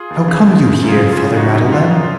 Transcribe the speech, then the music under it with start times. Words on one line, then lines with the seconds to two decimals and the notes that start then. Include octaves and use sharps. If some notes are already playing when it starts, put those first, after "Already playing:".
How come you here, Father Madeleine?
Already playing: F4 G#4
0.10 D#2
0.28 C#3
0.46 D#2
0.64 C#3
0.83 F#2
0.88 F4 G#4
1.00 C#3
1.13 F4 G#4
1.18 F#2
1.36 C#3 D#4 F#4
1.55 F#2
1.72 C#3 F4
1.91 F#2